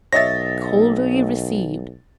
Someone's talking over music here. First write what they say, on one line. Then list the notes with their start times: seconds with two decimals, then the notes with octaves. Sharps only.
Coldly received.
0.13 B1 C#5 D#5 E5 A6 A#6